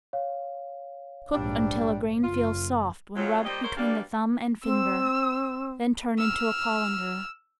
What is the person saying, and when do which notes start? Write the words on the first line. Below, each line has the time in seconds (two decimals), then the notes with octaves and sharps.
Cook until a grain feels soft when rubbed between the thumb and finger, then turn into a colander.
0.13 C#5 F5
1.33 A#1 G#2 G3 D4
2.24 F#1 F4
3.16 F2 C#3 F#3 F4
3.45 A#2 G3 G4 C5 D#5
3.63 G#2 A#4 C5 C#5
3.76 B2 G3 A#3 D4
4.64 C4 E6
6.18 E6 F6